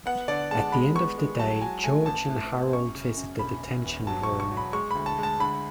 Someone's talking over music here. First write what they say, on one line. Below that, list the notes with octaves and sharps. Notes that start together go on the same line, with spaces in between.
At the end of the day, George and Harold visit the detention room.
B3 F#5
D3 D5
G#3 A5
G#3 B5
B3 C#6
G#3
F#3 A5
F#3 G#5
A3 G#5
A1 A5
A2
B3
F#2 C#6
C#3
F#2
E1 B5
E1
E2
F#3 A5
E1 C#6
C#6
F#3
B5
G#3 C#6
D2 B5
A5
G#3
A5
D3 B5